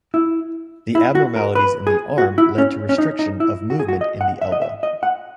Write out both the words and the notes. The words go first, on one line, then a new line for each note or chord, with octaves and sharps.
The abnormalities in the arm lead to restriction of movement in the elbow.
E4
E4
F#4
A#4
B4
G#4
F#4
E4
C#4
C#4
D#4
D#4
E4
F#4
G#4
F#4
D#5
F#5
E5
D#5
E5
D#5
F#5